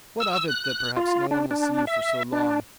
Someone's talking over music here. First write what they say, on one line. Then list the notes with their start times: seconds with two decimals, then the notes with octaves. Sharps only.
What of it that perhaps no one will see you for so long?
0.20 E6
0.48 F#6
0.97 F4
1.31 D4
1.51 D4
1.87 E5
2.32 D4